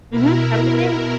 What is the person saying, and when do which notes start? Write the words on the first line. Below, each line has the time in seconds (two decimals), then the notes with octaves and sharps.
Mhm. Have a good day.
0.10 B2 E4 A#4